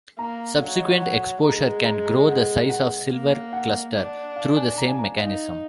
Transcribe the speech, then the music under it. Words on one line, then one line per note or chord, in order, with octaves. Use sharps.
Subsequent exposure can grow the size of silver cluster through the same mechanism.
A#3 A#5
F#3 F5
D#5
F#5
G#3 A#5
A#5
A#5
F#5
F#5
A#3
F#5
D4
F5
G#5
A#5
G#5
A#5
D#4 F5